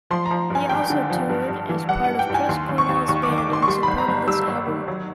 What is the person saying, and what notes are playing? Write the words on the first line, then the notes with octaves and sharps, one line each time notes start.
He also toured as part of Chris Cornell's band in support of this album.
F3 C6
A#5
F3
G2 G#5
G#1 G5
D3
F3
G2
G2
E3
G3 F#5
G2 F#5
G5
G2 G#5
D#2 C6
D#2
C#6
D#2
D#2 C#6
D#3 D6
D6
D#3 C6
C#6
G3 C6
G1 B5
A#5
G1
G3 E6
G1
D#3
F#3